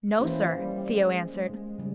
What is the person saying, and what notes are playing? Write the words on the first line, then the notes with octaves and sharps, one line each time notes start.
"No, sir," Theo answered.
E3 A#3 C#4 G4 C5
G3
G#3
G#3
C#3 G3